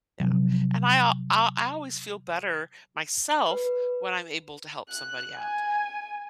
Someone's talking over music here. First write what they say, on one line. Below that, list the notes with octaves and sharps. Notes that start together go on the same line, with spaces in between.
Yeah, and I I I always feel better myself when I'm able to help somebody out.
C3 F3 F#3
B4
F#6
G#5